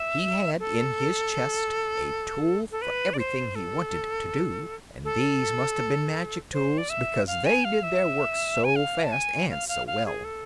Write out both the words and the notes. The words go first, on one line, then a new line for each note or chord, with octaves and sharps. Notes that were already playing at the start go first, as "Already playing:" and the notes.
He had in his chest a tool for everything he wanted to do, and these must have been magic tools because they did their work so fast and so well.
Already playing: E5
A4
A4
B4
D5
C5
A4
A4
C5
D5
E5
F5
G#5
F5
E5
G#5
F5
A5
G#5
F5
F5
F5
G#4
A4